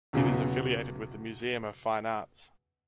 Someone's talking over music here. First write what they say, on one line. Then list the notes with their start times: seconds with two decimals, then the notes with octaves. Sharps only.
It is affiliated with the Museum of Fine Arts.
0.13 B1 E2 C#3 F#3